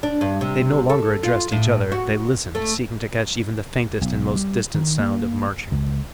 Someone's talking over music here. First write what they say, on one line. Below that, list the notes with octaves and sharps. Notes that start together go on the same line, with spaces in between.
They no longer addressed each other, they listened, seeking to catch even the faintest and most distant sound of marching.
D4
G2
C3
A4
F4
A2
F#4
A3
B1
G3
D#3
A#3
C#2